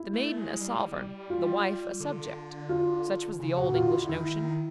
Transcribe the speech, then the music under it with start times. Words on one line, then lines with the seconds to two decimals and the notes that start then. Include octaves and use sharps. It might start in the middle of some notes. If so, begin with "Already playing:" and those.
The maiden a sovereign, the wife a subject, such was the old English notion.
Already playing: E4
0.13 A3
0.37 G#3
0.60 G3
1.30 F4
2.00 D3
2.69 F4
3.39 C#3
3.57 F#4
3.63 A#2
3.75 F4
3.86 D3
3.92 E4
4.09 D#3 E4
4.32 D#3